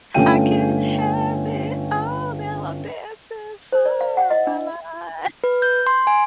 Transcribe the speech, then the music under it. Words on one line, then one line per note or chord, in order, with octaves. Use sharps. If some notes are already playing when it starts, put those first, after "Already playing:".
I can't have it all, now I'm dancing for my life."
G1 A3 C#4 F4 G5 D#7
C5
D5
F5
F#5
D#5
D4
B4
G6
C6
G#5